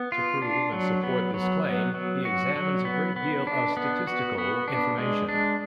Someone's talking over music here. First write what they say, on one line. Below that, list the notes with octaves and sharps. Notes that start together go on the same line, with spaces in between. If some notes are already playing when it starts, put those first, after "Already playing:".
To prove and support this claim, he examines a great deal of statistical information.
Already playing: B3
F4
D4
F#3
B3
F#3
B3
F#3
F#4
F#3
B3
B3
D4
B3
F#4
B3
D4
G#3
D4